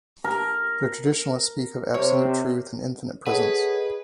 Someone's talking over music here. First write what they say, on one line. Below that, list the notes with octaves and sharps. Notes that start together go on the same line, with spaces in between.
The Traditionalists speak of "absolute Truth and infinite Presence".
A#4
C3 C#5
G#4 A4 B4 C#5 D#5 F#5